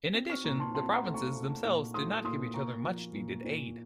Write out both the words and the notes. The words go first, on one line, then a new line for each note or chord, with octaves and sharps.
In addition, the provinces themselves did not give each other much-needed aid.
C4
C#6 F6
A#2 A#5 C#6
A5 C6
C4 A5 C6
F#5 A#5
A3
A#5 C#6
A3
A#2
A3 C6 D#6
A#2 C6 D#6
A#3 A#5 C#6
F3
A#2
A#2